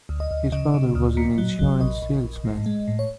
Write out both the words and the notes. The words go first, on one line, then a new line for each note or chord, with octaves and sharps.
His father was an insurance salesman.
D2
D#5
D2
C#3 D#5
C#3
D2
A#2
F#3
F#3
A#1 D#5
A#1
A#1
A2
G#3
A2
C#5